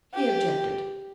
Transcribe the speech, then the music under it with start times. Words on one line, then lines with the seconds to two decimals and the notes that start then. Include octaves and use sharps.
He objected.
0.14 G4